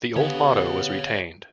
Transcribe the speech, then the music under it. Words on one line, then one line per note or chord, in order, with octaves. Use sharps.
The old motto was retained.
D3 B3 G4 C#5 F5